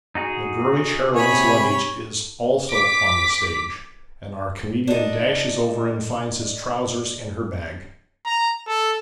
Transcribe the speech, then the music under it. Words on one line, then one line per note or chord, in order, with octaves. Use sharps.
The girlish heroine's luggage is also on the stage, and our comedian dashes over and finds his trousers in her bag.
D#4 F#4 G#4
C3 C#5 G#5 B5
D6 B6
D4 D#4
A#5
A4